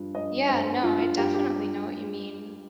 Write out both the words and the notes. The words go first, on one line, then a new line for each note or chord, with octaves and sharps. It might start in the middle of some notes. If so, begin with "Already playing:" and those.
yeah, no, I definitely know what you mean,
Already playing: G2 F3
G2 D#5
G2 C5
G2 F4
F4
G2 G4
G4